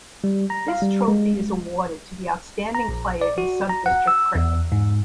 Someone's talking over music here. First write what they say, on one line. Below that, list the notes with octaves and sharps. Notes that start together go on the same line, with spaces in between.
This trophy is awarded to the outstanding player in Sub-District cricket.
G3
A#5
F5
G3
G#3
A#5
A#1
D5
F#4
A#5
F#5
E6
E2
G#2